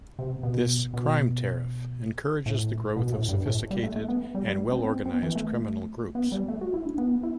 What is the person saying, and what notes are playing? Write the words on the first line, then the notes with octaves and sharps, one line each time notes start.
This "crime tariff" encourages the growth of sophisticated and well-organized criminal groups.
C3
B2
B2
A2
B2
A2
G2
A2
G3
A3
A3
B3
G3
G3
A3
C4
C4
C4
B3
E3
A3
B3
G3
A3
F#4
E4
D4
B3
E4